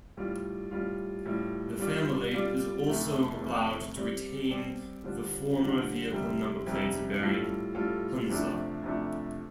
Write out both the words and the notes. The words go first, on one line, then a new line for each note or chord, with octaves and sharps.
The family is also allowed to retain the former vehicle number plates bearing 'Hunza'.
A2 G3 F4 D5
A2 G3 F4
A2 G3 F4
G3 F4 D5
G3 F4 D5
F2 C3 A3
F2 C3 A3
G3 C4 G4 D5
G3 C4 G4 D5
D3 G3 D4 F4 C5
D3 G3 D4 F4 C5
F2 C3 G3
F2 C3 G3
A2 G3 F4 A4
A2 G3 F4 A4
F2 C3 F3 A3 D4
F2 C3 F3 A3 D4